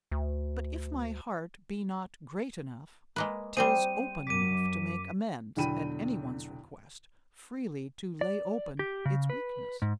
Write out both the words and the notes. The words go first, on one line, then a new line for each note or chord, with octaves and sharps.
But if my heart be not great enough, 'tis open enough to make amends, at any one's request, freely to lay open its weakness.
D2
G#3 A#3 B4
G3 C4 G#4 C5 D#7
F#2 D6 B6 D#7
B1 E2 D3 G5 B5 D#7
D5
G4
C#3
B4
G#2